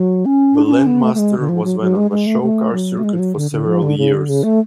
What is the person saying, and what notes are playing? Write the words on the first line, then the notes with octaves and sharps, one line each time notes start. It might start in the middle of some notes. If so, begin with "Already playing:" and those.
The Landmaster was then on the show car circuit for several years.
Already playing: F#3
C#4
D4
D4
C#4
B3
A3
A3
G#3
D3
F3
F#3
F#3
G#3
G#3
A3
A3
F#3
A3
G#3
F3
F#3
D3
D3
F3
D3
C#3
D3
C#3
A3